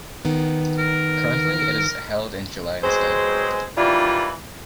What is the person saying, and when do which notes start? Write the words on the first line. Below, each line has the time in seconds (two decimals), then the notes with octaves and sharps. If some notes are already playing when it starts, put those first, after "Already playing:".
Currently, it is held in July instead.
0.25 D#3 B3
0.78 A#4
2.84 F#3 G#3 B3 C4 G#4 C5
3.78 D#3 E3 G3 D4 E4 F4